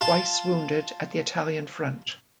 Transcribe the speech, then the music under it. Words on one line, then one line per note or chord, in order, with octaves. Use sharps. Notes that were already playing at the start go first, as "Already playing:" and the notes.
Twice wounded at the Italian Front.
F4 F5 A5